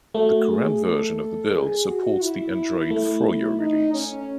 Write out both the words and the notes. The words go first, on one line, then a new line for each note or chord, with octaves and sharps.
The current version of the build supports the Android Froyo release.
A3 F#4
G#4
A4
G#4
F#4
E4
A3
D#4
C#4